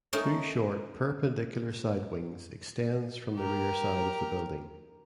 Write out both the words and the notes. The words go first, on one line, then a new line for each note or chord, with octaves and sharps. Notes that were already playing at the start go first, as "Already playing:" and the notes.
Two short perpendicular side wings extends from the rear side of the building.
A3 C#4 D#4 A#4
G4 A#4